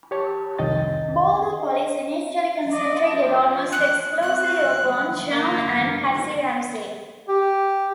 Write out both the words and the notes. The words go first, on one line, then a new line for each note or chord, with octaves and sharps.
Boulder police initially concentrated almost exclusively upon John and Patsy Ramsey.
G4 C#5 A5
C2 F2 D#3 D#5 G5 A6
D#5
D5 D#5
F3
F#6
C4 F#4 F#6
A#3
G4